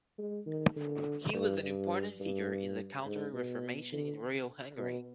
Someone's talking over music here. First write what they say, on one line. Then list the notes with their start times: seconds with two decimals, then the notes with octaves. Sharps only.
He was an important figure in the Counter-Reformation in Royal Hungary.
0.18 G#3
0.46 D#3
0.76 D3
1.34 G2
1.62 G2
2.20 G2
3.05 G#2
3.34 B2
3.92 D3
4.78 B2